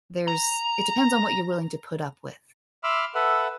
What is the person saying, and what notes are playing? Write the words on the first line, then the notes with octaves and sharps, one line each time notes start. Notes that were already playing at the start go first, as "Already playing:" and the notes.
there's it depends on what you're willing to put up with,
A#5
E5 B5 C6 D6 E6 F6
A4 B4 E5 F#5